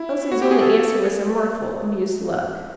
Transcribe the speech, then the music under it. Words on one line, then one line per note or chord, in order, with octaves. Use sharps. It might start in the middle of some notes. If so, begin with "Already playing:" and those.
Elsie's only answer was a mirthful, amused look.
Already playing: E4
F#4
G4
G#4
A4